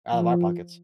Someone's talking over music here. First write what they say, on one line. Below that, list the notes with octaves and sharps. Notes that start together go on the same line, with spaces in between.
out of our pockets.
F3